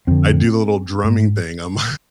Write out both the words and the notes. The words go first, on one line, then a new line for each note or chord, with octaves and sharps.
I do the little drumming thing on my
F2 D3 C4
G#2